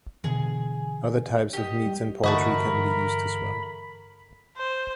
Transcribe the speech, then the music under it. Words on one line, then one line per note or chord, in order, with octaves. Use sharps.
Other types of meats and poultry can be used as well.
B2 D3 E3 G#4
G4 D#5
G3
G2 D3 E3 A3 F#4 A#4 D#5 B5
C5